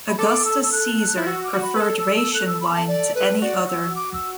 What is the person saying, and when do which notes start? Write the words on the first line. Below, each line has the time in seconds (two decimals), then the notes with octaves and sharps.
Augustus Caesar preferred Raetian wine to any other.
0.09 B5
0.19 A4 D6
0.45 E6
0.63 E6
0.72 F#6
1.18 E4
1.27 F#4 E6
1.44 D6
1.53 F#4
1.63 B5
1.76 B4
1.80 A4 E6
1.99 E6
2.16 E6
2.34 F#6
2.47 E6
2.61 B5
2.75 A5
2.88 D5
3.15 B4
3.42 F#4 D5
3.69 E6
3.96 D6
4.14 E6